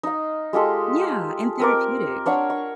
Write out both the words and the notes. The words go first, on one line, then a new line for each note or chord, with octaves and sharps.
Yeah, and therapeutic.
D#4 F5
G#3 F4 G4 A4
C4 A#4 D6
D4 C#5 F5 F#5
C#6